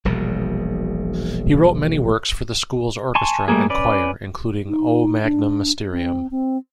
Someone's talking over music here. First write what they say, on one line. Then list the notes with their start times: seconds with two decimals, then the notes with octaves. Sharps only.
He wrote many works for the school's orchestra and choir, including "O Magnum Mysterium".
0.05 E1 A#1 B2 G3
3.15 G#5 A5 C6 C#6
3.48 G3 A3 A#3 G#4
3.70 C#4 B4 D5
4.68 D#4
5.23 D4
5.92 C4
6.31 C4